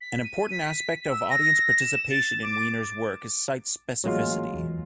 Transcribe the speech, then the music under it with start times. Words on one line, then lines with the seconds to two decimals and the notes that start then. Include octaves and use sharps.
An important aspect of audience participation in Weiner's work is site-specificity.
0.01 B6
0.24 D#7
0.51 B6
1.09 E6
1.30 A#6
1.80 E7
2.10 A6
2.42 D6
4.04 A1 F#3 G#3 A#3 F4
4.54 E2